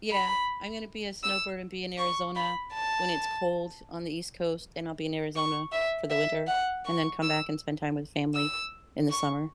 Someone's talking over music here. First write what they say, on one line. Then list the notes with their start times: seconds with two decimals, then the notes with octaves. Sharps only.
Yeah, I'm gonna be a snowbird and be in Arizona when it's cold on the East Coast, and I'll be in Arizona for the winter, and then come back and spend time with family in the summer.
0.11 B5
1.23 E6
1.98 C#6
2.35 B5
2.73 A5
5.36 C#6
5.73 E5
6.10 E5
6.47 F#5
6.85 C#6
7.23 E6
8.35 E6
9.10 C#6